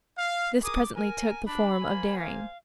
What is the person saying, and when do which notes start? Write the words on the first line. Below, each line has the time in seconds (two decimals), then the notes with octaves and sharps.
This presently took the form of "daring."
0.16 F5
0.63 G#4 A#4 D6 D#6
0.95 A#4 G#5
1.46 D4 B5
1.81 A#3 C5 G#5
2.18 F5